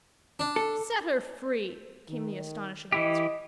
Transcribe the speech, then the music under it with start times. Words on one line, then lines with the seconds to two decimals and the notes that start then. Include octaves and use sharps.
"Set her free," came the astonishing answer.
0.39 D4
0.56 A4
2.09 D#3
2.92 E3 E4 G4 D#5